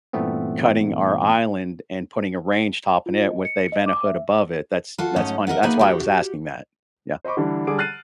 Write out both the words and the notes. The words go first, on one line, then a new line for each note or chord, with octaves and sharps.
cutting our island and putting a range top in it with a Vent-A-Hood above it. That's that's funny. That's why I was asking that. Yeah.
G2 A#2 E3 A3 B3 C4
F4
D#5
C#7
D#5
D6
E5
F4 F#4 A4
G#2 F#3 A3 C#4 D#5
A#4 D#5 E5 F#5
A#3 B3 D#4 G#4 B4
F#4 G4
C5 D#5 B5 C#6 D6
D3 E3 G3 D4
D3 G3 G#4 D6 D7
F6 F#6 A6 C7 D#7